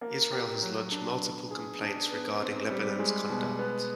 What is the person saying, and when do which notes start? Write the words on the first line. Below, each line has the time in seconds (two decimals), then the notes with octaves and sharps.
Israel has lodged multiple complaints regarding Lebanon's conduct.
0.01 A#3
0.32 G4
0.62 F#3
0.91 D4
1.22 B3
1.51 G#4
1.81 D4
2.11 B3
2.40 C4
2.70 G3
2.99 G#3
3.29 B2
3.58 B3